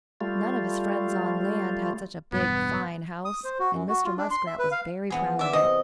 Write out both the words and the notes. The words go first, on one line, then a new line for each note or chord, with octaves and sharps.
None of his friends on land had such a big, fine house, and Mr. Muskrat was very proud of it.
G3 A3 F4
E1 G2 B3
D#6
C5
F#4
F#2
F#4
F4
D4
C6
E5
B4
F5
E3 B3 G#4
D5 E5
C3 D#5